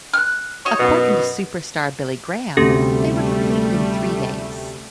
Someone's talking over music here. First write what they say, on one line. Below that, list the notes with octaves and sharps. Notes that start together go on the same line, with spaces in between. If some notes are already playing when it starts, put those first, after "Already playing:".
According to Superstar Billy Graham, they were completed in three days.
F6 F#6
D#4 F#4 C#5
F#2 B2
D2 C3 G3 A3 C#4 G4 A4